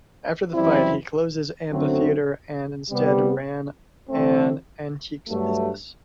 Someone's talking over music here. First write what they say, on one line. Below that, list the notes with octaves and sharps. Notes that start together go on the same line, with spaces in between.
After the fight he closed his amphitheatre, and instead ran an antiques business.
F#2 E3 G3 C4 E4
F#2 D3 F#3 A3 C4
C3 G3 B3
C3 E3 A3 C4
G2 F#3 A3